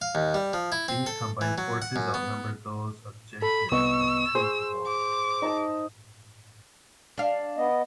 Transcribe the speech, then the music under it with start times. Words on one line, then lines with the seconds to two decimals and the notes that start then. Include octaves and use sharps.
These combined forces outnumbered those of Gentius by two to one.
0.01 F5
0.15 D#2
0.34 G3
0.53 F3
0.72 E4
0.88 C4
1.06 A4
1.41 E3
1.58 F#3
1.82 F#5
1.96 F#2
2.14 B3
3.42 A4 B5
3.72 C2 B3 D#5 C#6 E6
4.35 G#4 C5
4.86 D6
5.42 D#4 A5
7.18 D4 F5
7.58 B3 D#5